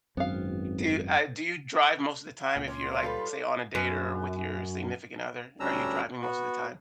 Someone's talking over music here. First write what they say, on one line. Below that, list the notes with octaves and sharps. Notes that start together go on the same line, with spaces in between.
Do, uh Do you drive most of the time if you're, like, say, on a date or with your significant other? Are you driving most of the time?
G#1 F#2 B3 C4 F5
F#5
C#2 A#2 E5
C#4 C6 D6
D5 F5
G3 F4 A4 B4
F#2
D2 G3 C#4 D4 A#5 E6
B3 F#4